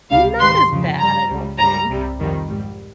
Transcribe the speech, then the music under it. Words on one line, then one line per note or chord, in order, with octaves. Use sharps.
Not as bad, I don't think, but
C#2 C3 G3 F5
G#2 D#3 G3 C6
F2 C#3 F3
G2 G3 A#5
C#2 C#3 G3
G2 G3 A#5
C2 C3 G3
F2 D#3 G3
G#2 G3